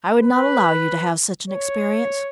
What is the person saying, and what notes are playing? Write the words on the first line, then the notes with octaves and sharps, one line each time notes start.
I would not allow you to have such an experience.
B4
C#5